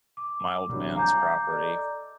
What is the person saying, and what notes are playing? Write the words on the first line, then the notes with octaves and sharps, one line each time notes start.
my old man's property
D6
C2 D3 F#3
F5 G#5 A#5 D6 G6
A4 D5 D#5